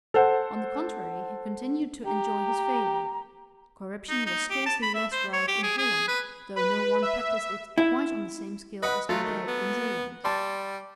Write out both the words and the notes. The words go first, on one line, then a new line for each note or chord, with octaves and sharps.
On the contrary, he continued to enjoy his favour. Corruption was scarcely less rife in Holland, though no one practised it quite on the same scale as Odijk in Zeeland.
A4 C5 F#5
G4 A#5
D#4
D#4
G4
A5
B5
E5
C5
C#5
G4
G#4
G#4
B4
B4
E5
E4
B4 D#5 F#5 B5
F#3 A3 F4
D#3
B3
G3 A5 C6